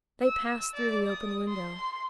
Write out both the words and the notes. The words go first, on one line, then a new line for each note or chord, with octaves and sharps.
They passed through the open window.
E6
D5
D#6
C6